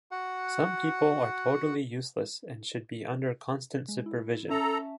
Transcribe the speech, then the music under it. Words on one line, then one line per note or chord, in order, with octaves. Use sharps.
Some people are totally useless and should be under constant supervision.
F#4 F#5
G#3
E4
C#4 A4 E5 A5 A#5